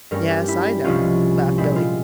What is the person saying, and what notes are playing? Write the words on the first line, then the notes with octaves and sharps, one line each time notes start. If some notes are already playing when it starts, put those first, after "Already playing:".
"Yes, I know," laughed Billy.
G2 G3 A#3 C#4 A#4
G4
E4
C2 C3 F3 G#3 C#4 F4
A#2 G#3 C4 E4
F4